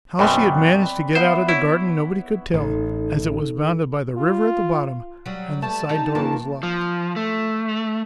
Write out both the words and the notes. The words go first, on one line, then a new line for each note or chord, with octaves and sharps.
How she had managed to get out of the garden nobody could tell, as it was bounded by the river at the bottom, and the side door was locked.
F#2 B2 C4 B4 D5
B3 C5 E5 B5
E4 C#5
A1 D#4 A4
F4
F#3 G3
G3 A3 D5 A5
D#4 G4
D#3 E3 A#3 F4 A5
F3
A3